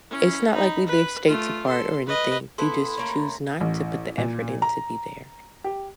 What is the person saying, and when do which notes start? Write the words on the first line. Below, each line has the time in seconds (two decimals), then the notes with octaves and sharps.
it's not like we live states apart or anything, you just choose not to put the effort in to be there.
0.10 C#4 E4
0.53 D#4 B5
0.86 B4
1.28 A3 F4
1.66 A4 C6
2.07 B4 D#5
2.58 B3 E4 A4 C6
2.82 B5
2.98 A3 A#3 C#4
3.61 A1
4.18 A#2
4.62 A#5
5.64 G4